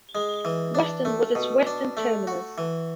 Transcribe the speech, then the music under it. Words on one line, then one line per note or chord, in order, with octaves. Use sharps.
Weston was its western terminus.
G#3
E3
D4
A3
B2
D4
A3
F#4
E3